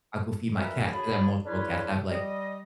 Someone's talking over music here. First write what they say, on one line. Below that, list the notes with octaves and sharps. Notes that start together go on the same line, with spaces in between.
I'll go feed my cats 'cause I have multiple cats, I have like,
D2 A#2 F#4 A#4 B4 E5
D#2 C#3 F#4 G#4 A5 B5
C#3 D4 E4 F4 B4 C#5
G3 D#5